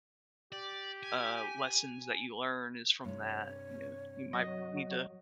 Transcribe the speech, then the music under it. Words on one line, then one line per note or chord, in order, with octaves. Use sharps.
uh, lessons that you learn is from that, you know, you might need to
G4 D5
G#5
G2 C3 C#5
F#3 D#5